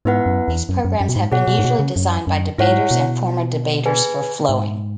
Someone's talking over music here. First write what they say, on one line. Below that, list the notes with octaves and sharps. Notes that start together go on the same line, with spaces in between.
These programs have been usually designed by debaters and former debaters for flowing.
G#2 B3 E4 B4 F#5
F#2
E2
F#2
F#2
F#2
B2
G#2
B2 G#4 C#5 F#5
B2
G#2
B2
C#3
F#2
F#2
G#2 E4 C#5 F#5
B2
G#4 B4 G#5
G#2